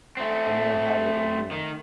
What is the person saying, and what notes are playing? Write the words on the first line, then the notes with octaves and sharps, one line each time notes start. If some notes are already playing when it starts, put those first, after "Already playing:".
A mere habit in me.
A3 C4
D#3